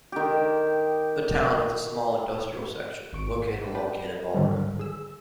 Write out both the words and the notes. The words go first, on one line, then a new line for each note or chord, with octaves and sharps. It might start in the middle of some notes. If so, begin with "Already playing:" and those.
The town has a small industrial section located along Cannonball Road.
D#3 G4
G#1 C#6 D7
G4 B4 D5
G#2 D3 D#3 F#3 G3
G#4 E6